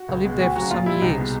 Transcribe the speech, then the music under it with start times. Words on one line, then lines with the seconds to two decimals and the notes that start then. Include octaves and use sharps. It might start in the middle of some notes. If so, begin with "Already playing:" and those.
I lived there for some years.
Already playing: F#4
0.09 C#2
0.24 B2 G#3
0.40 D2 F#4
0.56 C#3 F#3 F#4
0.71 A#2 F4
0.86 G3 E4
1.02 C2 D#4
1.18 B2 G#3